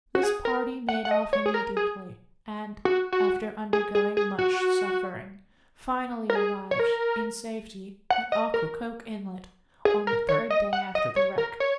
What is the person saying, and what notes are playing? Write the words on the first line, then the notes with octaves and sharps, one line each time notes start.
This party made off immediately, and, after undergoing much suffering, finally arrived, in safety, at Ocracoke Inlet, on the third day after the wreck.
F#4
G#4
A#4
F#5
F#5
D#5
C#5
G#4
A#4
G#4
F#4
F#4
G#4
G#4
G#4
F#4
A#4
G#4
C#5
A#4
F#5
D#5
A#4
G#4
A#4
C#5
D#5
F#5
D#5
C#5
A#4
C#5